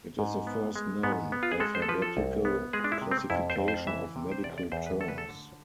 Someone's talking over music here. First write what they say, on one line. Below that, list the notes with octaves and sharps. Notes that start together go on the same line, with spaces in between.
It is the first known alphabetical classification of medical terms.
G#2
B3
G#3
G#2 B3
B3
F4
G#4
G#3 A4
C5
A4
F3 B4
A4
C2
B3
G#3 G#4
D4
E4
C3
C4
F2 E4
C5
F2
C5
E3 E5
C3
C5
E2 D5
D5
E2 C5
B4
A3 A4
B4
A4
D3